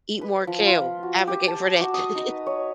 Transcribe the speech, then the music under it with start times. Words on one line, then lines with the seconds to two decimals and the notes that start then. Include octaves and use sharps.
Eat more kale, advocate for that.
0.21 B4
0.47 F3
0.67 F4
1.03 F#4
1.28 G4
1.48 A5
1.81 F#4
1.94 D#6
2.15 D#4
2.29 B4
2.46 C#5